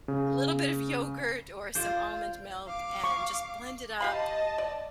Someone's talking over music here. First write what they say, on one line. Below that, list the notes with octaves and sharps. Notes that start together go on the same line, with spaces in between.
a little bit of yogurt or some almond milk, and just blend it up.
C#3
F4 C5 D5 F5
F5 D6
C#6
G4 D#5 F5 A5 B5
D5